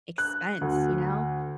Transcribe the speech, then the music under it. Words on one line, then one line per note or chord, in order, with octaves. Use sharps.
expense, you know?
F#6
D2